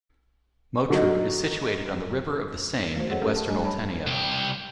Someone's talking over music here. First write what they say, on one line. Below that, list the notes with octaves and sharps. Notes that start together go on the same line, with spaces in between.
Motru is situated on the river of the same in western Oltenia.
D3 F#3 D#4
A3 F#4 C5
G#4 A4 C5 C#5 D#5 F#5
A3 C#4 G4 A4 A#4
A5
G3 A3 D4 D#5 G#5
C#5 A5 B5
C2 G4